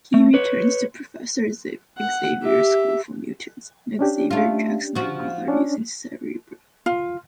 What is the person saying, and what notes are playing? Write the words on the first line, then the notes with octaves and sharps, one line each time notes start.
He returns to Professor Xavier's school for mutants, and Xavier tracks Nightcrawler using Cerebro.
A3
B4 C#5
F#5
G4 E5
C#4 D4 G4
A3 F4
F3 F#4
C#4 D4
F4